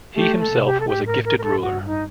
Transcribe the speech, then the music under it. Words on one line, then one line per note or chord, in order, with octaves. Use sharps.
He himself was a gifted ruler.
A3 G4
A4
C3
G4
A4
A2 G4
A#4
A#4
A#4
A4
G2 F#4
D#4